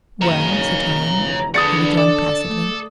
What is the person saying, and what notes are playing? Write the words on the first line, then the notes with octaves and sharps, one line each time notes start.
"Well, citoyenne?" he rejoined placidly.
F#1 D#3 C#5 F5 A#5
F1 D2 E3
D3 D4 G#4 B4 D#6 A6 C#7
A4 D5
A3